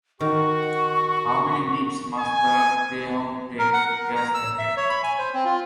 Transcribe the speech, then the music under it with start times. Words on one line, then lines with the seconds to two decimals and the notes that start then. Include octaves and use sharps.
How many leaps must the greyhound take to catch the hare?
0.21 D#3 F#4 C#6
2.20 G#5
3.59 A#4
3.73 F#5
3.89 A#4
4.15 A#5
4.34 E6
4.58 E5
4.77 C#5
4.90 B5
5.03 G#5
5.18 C5
5.34 C4
5.45 F4